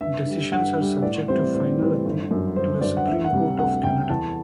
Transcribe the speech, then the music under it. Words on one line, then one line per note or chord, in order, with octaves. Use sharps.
Decisions are subject to final appeal to the Supreme Court of Canada.
G2 E5
D3 G3
G2 F#5
D3 G3
A2 D5
E3 G3 C4 E4 C5
A2 C5
E3 G3 C4 E4
G1
F#2 D3
G1 C5
F#2 D3 D5
F#5
D2 E5
F#5
C3 G3
D2 F#5
C3 G3 G5
E2 A5